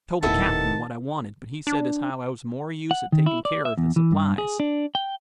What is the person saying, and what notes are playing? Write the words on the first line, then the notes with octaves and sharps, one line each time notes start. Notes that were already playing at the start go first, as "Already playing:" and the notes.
I tol' the cap'n what I wanted, but he said as how I was more use a-takin' keer of the supplies.
D#1 A2 C3 D#3 B3 E4 A4 A5
D4
F#5
D#3
E4
D5
E5
E2
E3
G2
G#4
D4
G5